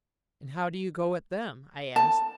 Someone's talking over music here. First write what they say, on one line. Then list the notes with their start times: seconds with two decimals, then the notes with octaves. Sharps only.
"And how do you go at them?" I asked.
1.96 A5